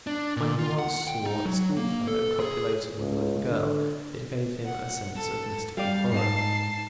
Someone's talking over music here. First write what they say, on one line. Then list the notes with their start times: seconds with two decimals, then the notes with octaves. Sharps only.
When he once saw a schoolfellow copulating with a little girl, it gave him a sense of mystical horror.
0.07 D4
0.37 A#2
0.59 F4
0.79 F#5
1.08 G5
1.26 D#4
1.46 F#3
1.77 A#3
2.08 A4
2.40 G#4
2.98 C#2
3.47 D3
4.65 F#5
5.15 A4
5.77 G3 G4 D5 F5
6.11 G#2 D#4 A5 C7